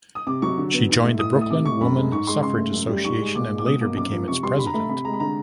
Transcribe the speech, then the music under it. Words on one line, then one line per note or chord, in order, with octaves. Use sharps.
She joined the Brooklyn Woman Suffrage Association and later became its president.
D#6
C3 D6
F#3 C#6
D3
B3
G#2
A3
A2 D#6
A3
D#6
C3 D6
A3 C#6
F#2 B5
G#3
G#2 C#6
G#3 C6
C#3 C6
A3
F#2
G3
G#2 C#6
G#3
A#2 D6
G#3
D6
B2 D#6
A#3 D6
F#2 D6
F3
C3 C#6
G3 C6
D3 B5
A#5
A3 B5
C3 B5
G#3 A#5
B5
D3 A#5